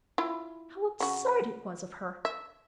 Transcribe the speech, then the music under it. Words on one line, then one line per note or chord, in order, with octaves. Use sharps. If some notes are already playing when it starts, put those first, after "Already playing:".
How absurd it was of her!
E4 F4
C#3 F#4
E5